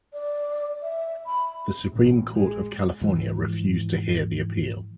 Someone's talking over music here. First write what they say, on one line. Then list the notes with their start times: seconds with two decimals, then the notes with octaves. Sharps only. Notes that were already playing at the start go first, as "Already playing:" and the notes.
The Supreme Court of California refused to hear the appeal.
0.13 D5
0.83 E5
1.26 B5
1.92 A1
2.33 G#3
3.01 G#2 E3 F3